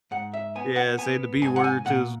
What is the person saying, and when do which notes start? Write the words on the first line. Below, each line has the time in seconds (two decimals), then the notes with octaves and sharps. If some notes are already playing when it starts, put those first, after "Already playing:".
Yeah, saying the b word to
0.11 G#2 F#5
0.34 E5
0.55 B3 G#5
0.76 F#5
0.98 B3 G#5
1.42 G#2 G#5
1.56 F#5
1.64 G#5
1.85 A#2 F#5